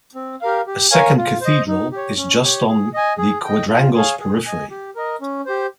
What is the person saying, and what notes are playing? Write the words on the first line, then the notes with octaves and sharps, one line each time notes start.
A second cathedral is just on the Quadrangle's periphery.
C4
G4 A#4 F5
G4
A#4 C#5 F5 G#5
F4
C5 D#5
D#4
G4 C#5
C#4
G4 C#5
G#4
D#5 G#5
G#4
G5
D#5
F4
G#4 C#5 F5 G#5
G#4
D#5 G#5
G4
A#4 D#5
C#4
G4 C5